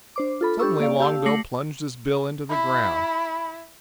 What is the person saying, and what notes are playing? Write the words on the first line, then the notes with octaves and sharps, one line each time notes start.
Suddenly Longbill plunged his bill into the ground.
D4 C5 D6
F4 A4 B5
D4 G4 A4 C#6 E6
A#3 D5 F5
G4 F5 A5 E6
A3 D6 A#6 C7 C#7 F#7
E4 B5